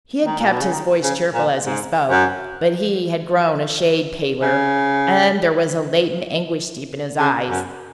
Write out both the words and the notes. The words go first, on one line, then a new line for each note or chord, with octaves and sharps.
He had kept his voice cheerful as he spoke, but he had grown a shade paler, and there was a latent anguish deep in his eyes.
D#3
A#2
B2
C#3
D#3
C#3
A#2
G#2
F#2
C#3
C#3
F#2